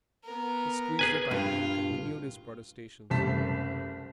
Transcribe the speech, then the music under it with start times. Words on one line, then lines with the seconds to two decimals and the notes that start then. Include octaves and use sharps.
He squeezed her tightly, and continued his protestations.
0.24 B3 A#4
0.99 G#4 B4 G#5
1.31 G2 F4
3.10 F#1 C2 A3 A5 B6